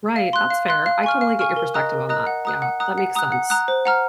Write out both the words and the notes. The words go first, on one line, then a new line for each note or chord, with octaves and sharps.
Right, that's fair, I totally get your perspective on that, yeah, that makes sense.
F5
C6 F#6
F5
C6 F#6
F5
G#5 C#6 F6
F5
G#5 C#6 F6
A#4
D#5 A#5 D#6 F#6
A#4
D#5 A#5 D#6 F#6
F#5
A#5 D#6 F#6
F#5
A#5 D#6 F#6
F#5
A#5 D#6 F#6
F#5
A#5 D#6 F#6
C5
F#5 A#5 F6